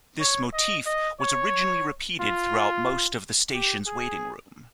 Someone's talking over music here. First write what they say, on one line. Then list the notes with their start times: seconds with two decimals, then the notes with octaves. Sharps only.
This motif was originally repeated throughout most of the station's waiting room.
0.20 C#5
0.53 D#5
0.86 D#5
1.20 C#5
2.20 F4
3.53 G4
3.87 G#4